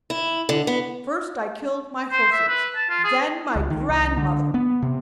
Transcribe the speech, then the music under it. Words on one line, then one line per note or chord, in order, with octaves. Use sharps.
First I killed my horses, then my grandmother!
E4
D3
B3
C5
E5
B4
A5
F4
G#4
C#2
D#3
C2
D3
B3
C3